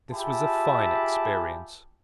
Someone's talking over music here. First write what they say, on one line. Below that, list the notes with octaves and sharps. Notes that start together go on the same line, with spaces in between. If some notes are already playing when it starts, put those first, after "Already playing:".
This was a fine experience.
F4 G4 G#4 E5 A5 B5